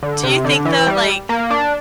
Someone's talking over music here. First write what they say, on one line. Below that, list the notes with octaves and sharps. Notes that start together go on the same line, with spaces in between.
Do you think, though, like,
D3
C3
D3
E3
G3
A#3
D4